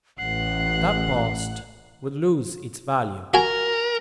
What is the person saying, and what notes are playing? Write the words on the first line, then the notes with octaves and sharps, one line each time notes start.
"That post would lose its value."
A1 F#5 F#6 C7
F#4 A#4 G#5